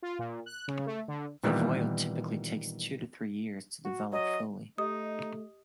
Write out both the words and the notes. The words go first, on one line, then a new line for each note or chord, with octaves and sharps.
The "voile" typically takes two to three years to develop fully.
F4
A#2
F#6
C#3
A3
D3
A#2 D#3 E3 G3 B3
F#4
F#3 D#5
A3 D#4 G4 D#5 D#6